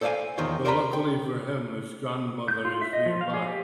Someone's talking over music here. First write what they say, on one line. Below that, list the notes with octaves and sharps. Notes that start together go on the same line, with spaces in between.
But luckily for him his grandmother is nearby.
A4 C5 D5 D#5 F5 G#5
E2 D#3 F4 C5 C#5
A#4 C5 D5 F#5 A#5 B5
G5
G6
F4
E5
D#5
F3
F5
G#4
G4